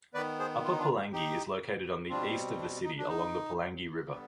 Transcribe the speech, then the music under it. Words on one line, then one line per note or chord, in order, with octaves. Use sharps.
Upper Pulangi is located on the east of the city along the Pulangi River.
D#3 B3 B4 D5
G#4 C5
F4
D#4
D4 F4
D#4 G4
B2 G3 C4 D4 F4
D4
D#4
D4
D#4
D3 G3 B3